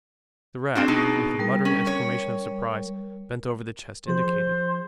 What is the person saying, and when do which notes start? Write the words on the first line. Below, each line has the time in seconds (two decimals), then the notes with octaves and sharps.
The Rat, with a muttered exclamation of surprize, bent over the chest indicated.
0.75 C4 D4 F#4 G#4
0.88 B2 D#4
1.39 G3 A#4
1.65 C#4
1.87 C#5
4.08 F3 G#4 C5